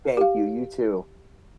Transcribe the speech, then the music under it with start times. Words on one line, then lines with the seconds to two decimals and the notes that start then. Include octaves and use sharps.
Thank you, you too.
0.17 G4 F5